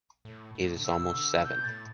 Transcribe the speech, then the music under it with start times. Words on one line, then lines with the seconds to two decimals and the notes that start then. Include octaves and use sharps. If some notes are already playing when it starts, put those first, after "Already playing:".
It’s almost seven.
0.25 A2
0.55 A2
0.76 D3
0.84 B2 E6
1.15 D3
1.44 B2 G6
1.64 A2 A6